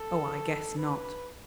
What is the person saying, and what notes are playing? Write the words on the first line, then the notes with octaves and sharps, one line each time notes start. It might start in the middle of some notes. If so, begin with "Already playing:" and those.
Oh, I guess not.
Already playing: A4
B4